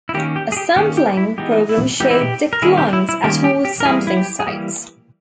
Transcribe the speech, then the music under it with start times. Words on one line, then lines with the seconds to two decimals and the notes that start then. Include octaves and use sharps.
A sampling program showed declines at all sampling sites.
0.09 E4
0.14 D#3 A#3 C#4 G4
0.36 G4
0.52 G#4
0.57 G4
0.76 D#3 A#3 C#4 G4
0.97 G4
1.17 E4
1.38 E3 G#3 B3 D#4 G4
1.69 E4
2.00 E3 G#3 B3 D#4 G4
2.10 E4
2.21 G4
2.53 A#4
2.62 D#3 G3 A#3 C#4 E4 G#4
2.78 G4
2.93 E4
3.09 E4
3.24 D#3 G3 A#3 C#4 G4
3.44 G4
3.65 G4
3.80 A#4
3.85 E3 G3 A#3 E4 G#4
4.07 E4
4.17 G4
4.40 G#4
4.47 E3 G3 A#3 G4